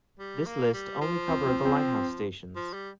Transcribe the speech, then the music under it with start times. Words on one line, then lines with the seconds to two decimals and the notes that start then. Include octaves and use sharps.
This list only cover the lighthouse stations.
0.19 G3
0.46 A#3
0.74 G3
1.01 F3
1.28 C4
1.46 C4
1.65 C4
2.56 F3
2.74 G3